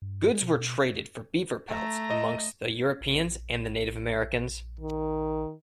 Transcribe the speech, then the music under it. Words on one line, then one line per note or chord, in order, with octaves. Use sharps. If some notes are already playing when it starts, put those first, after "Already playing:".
Goods were traded for beaver pelts amongst the Europeans and the Native Americans.
G2
B2
A3 A#5
D#5
A#1
D#3